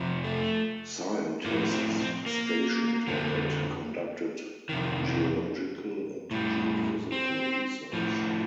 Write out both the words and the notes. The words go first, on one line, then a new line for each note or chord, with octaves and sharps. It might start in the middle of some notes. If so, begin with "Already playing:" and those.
Scientists stationed in it conducted geological and geophysical research.
Already playing: F2 C3 F3
A3
A2 F3 A#3
C4
C4
A#3
F2 D3 F3
F2 C3 D#3
A2 G3
C4
A2 F3